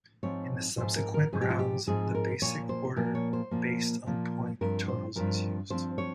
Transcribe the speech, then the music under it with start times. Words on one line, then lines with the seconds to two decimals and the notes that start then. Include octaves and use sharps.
In the subsequent rounds, the basic order based on point totals is used.
0.23 G#2 F3 C4 C#5
0.78 G#2 F3 C4 C5
0.96 A#4
1.14 A#4
1.32 G#2 F3 C4 G#4
1.41 G4
1.50 F4
1.59 G4
1.87 G#2 F3 C4 G#4
2.15 A#4
2.42 A#2 F3 A#3 C#5
2.69 C5
2.96 A#2 F3 A#3 A#4
3.15 C#5
3.33 C5
3.51 A#2 F3 A#3
4.06 A#2 F3 A#3
4.61 G2 F3 C4 A#4
4.88 C5
5.16 G2 F3 C4 A#4
5.70 G2 F3 C4 C5
5.98 C#5